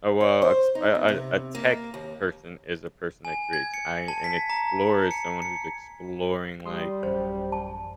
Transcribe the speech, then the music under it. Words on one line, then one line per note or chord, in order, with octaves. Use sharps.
oh a ex a a a tech person is a person that creates, I an explorer is someone who's exploring like,
C#5
C5
D#4
B3
C3
A#3
D#2
G#5
G#6
C#7
A5
B6
A#5
C#7
C#7
G3 C6 D#6
A1 F#2 C5
A5